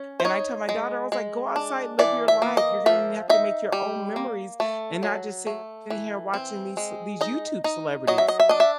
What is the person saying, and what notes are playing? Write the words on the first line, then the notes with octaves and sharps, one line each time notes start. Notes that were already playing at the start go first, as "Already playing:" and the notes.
And I tell my daughter, I was like, "Go outside, live your life, you're gonna have to make your own memories and not just sitting here watching these ce these YouTube celebrities."
Already playing: C#4
C5
D#4 C#5
G#3
G#3
D4
E3 D5
E5
A#3
D#5
F3 E5
D#4 E5
G3
A#3
A3
F#3
A3
E3
C4
G#3
D#4 D#5
D#4
F#3 D#5
E5
D#5
E5
D4 D#5
E5